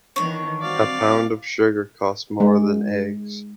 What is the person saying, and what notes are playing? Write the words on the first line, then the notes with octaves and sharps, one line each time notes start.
A pound of sugar costs more than eggs.
D#3 E3 B3 D4 C#5
G3 C4 F#4 D5 F5
G#3